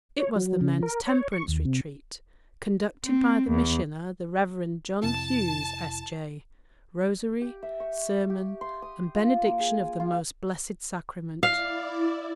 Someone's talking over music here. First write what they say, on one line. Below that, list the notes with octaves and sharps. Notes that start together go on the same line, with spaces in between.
It was the men's temperance retreat conducted by the missioner, the reverend John Hughes S. J., rosary, sermon and benediction of the Most Blessed Sacrament.
C#5
F#3
C#3
A#4
C#5
C#6
D#2
C3
C4
E2
F2 C3 E4 A5
G4
E5
C#6
G4
C6
D#6
F4
A#3
G#4
F4
E4 D5 F5